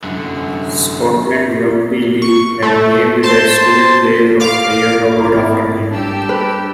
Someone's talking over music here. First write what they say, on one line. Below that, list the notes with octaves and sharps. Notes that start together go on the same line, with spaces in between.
Scotland Rugby League have named their Student Player of the Year Award after him.
F#2 D3
C#6
A3
C5 A5 C6
F5 D6 F6
G#1 E4
G3 D4 G4 E6
B4